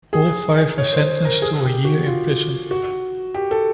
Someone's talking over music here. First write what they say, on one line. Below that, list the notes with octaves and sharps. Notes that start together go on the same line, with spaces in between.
All five were sentenced to a year in prison.
G#4
C#5
C5
A#4
G#4
G4
F#4
F4
F#4
G4
A4